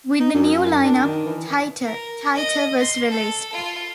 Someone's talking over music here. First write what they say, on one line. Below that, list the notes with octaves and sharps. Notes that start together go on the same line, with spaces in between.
With the new line-up, "Tighter, Tighter" was released.
D#4
F#2
D4
D#3
E3
A#4
D#5
C6
A4
F4